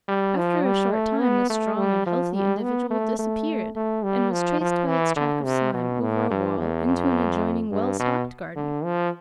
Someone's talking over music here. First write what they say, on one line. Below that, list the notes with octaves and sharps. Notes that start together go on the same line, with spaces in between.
After a short time the strong and healthy individual disappeared, and was traced by its track of slime over a wall into an adjoining well-stocked garden.
G3
F3
G3
A3
B3
A3
G3
F3
G3
B3
A3
A3
A3
G3
F3
F3
E3
D3
C3
B2
A2
G2
E2
F2
G2
B2
D3
F3